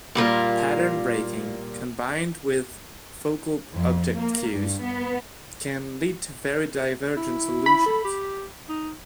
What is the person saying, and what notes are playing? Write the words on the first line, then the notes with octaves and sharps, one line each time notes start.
Pattern-breaking, combined with focal object cues, can lead to very divergent solutions.
A#2 G3 A#3 F4
F2
A#3
G2
B3
E4
B5
A4
G4
D#4